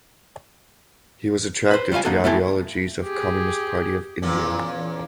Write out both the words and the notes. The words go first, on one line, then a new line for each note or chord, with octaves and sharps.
He was attracted to ideologies of Communist Party of India.
B4 C5
G3 F4 C5 F5 G#5
A#3 D#4 F#4 A4
A3 E4 G4 A4 G#5
G4 G#4
E2 A#2 C#4